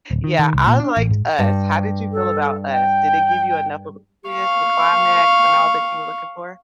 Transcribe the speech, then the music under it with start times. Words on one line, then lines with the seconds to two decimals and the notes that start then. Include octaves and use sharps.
Yeah, I liked Us, how did you feel about Us? Did it give you enough of a twist, the climax, and all that you were looking for?
0.11 D1
0.24 D#3
0.39 D#3
0.54 C2
0.67 A#2
0.80 D4
0.97 A1
1.10 G#2
1.39 G2
2.12 A4
2.71 G5
4.29 F5 C#6